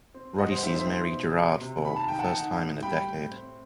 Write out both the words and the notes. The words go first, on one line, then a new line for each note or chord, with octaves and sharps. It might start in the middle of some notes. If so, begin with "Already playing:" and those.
Roddy sees Mary Gerrard for the first time in a decade.
C4
G3 D#5 F#5
C5
D#4 C5 E5
C5 E5
B3 C5
B2
C4
C3
D#3 B5
A5
D#3 G5
F#5 A5
D#4
A2
G3 G5 B5
A2
C4